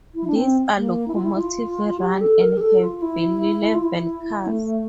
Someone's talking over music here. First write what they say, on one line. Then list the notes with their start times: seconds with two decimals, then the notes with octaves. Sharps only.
These are locomotive-run and have bilevel cars.
0.15 E4
0.27 D4
0.35 C4
0.77 A#3
1.08 E4
1.15 F4
1.23 E4
1.38 F4
2.00 G4
2.21 A4
2.41 A#4
2.57 G4
2.61 A4
2.81 F4
3.02 E4
3.74 F4
3.84 E4
4.47 A3